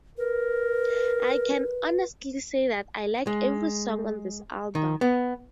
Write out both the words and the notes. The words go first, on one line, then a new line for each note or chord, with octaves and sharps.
I can honestly say that I like every song on this album.
A#4 B4
G#3
D#3
B3